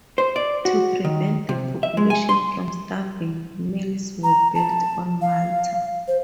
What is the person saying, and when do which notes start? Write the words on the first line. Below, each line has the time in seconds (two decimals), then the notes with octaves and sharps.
To prevent the population from starving, mills were built on Malta.
0.18 C5
0.36 D5
0.65 F#4
1.05 D#3
1.49 C3
1.83 E5
1.97 G#3
2.10 G#5
2.29 C6
4.24 A#5
4.55 A5
5.22 F5
6.08 C5